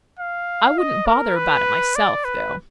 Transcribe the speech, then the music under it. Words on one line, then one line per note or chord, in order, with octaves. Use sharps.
I wouldn't bother about it myself, though.
F5
D#5
A#4
B4
D5
B4